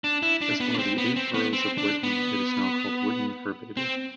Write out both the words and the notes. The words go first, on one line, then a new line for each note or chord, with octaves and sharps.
As one of the eight boroughs of Witten, it is now called Witten-Herbede.
D4
E4
D4
B3
D4
C4
B3
C4
B3
C4
D4
B3
C4